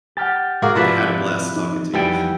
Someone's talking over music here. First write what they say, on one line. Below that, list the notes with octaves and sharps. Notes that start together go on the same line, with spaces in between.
had a blast talking to you.
G4 F#5 F6 A6
G#2 F#4 G#4 A#4 F5 D6
C3 F3 D4 E4 B4
D#4
F2 E3 G3 B3 E4 G5